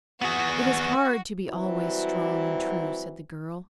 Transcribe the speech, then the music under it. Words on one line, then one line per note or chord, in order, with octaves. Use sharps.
"It is hard to be always strong and true," said the girl.
B3 F#4 G#4
E3 F#3 G3 C4 E4 F#4